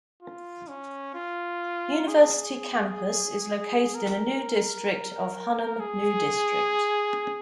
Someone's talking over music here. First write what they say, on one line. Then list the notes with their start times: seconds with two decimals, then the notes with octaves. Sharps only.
University campus is located in a new district of Hunnan New District.
0.22 F4
0.69 C#4
1.15 F4
2.08 G#4
3.95 A#4
5.80 G#4